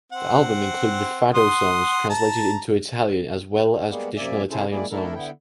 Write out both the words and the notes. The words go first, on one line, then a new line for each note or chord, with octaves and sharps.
The album included fado songs translated into Italian as well as traditional Italian songs.
C4 F#5
F#5 C6 D#6
A5 A#5
G3 G#3 A#3 B3
F#2 C3 A#3 D5 E5 G#5
C3 C#4 E4 G#4 A4 C5
G3 G#3 A#3 E4 G#4 D5
A3 D4 E4 A4 A#4
D3 B3 E4 G5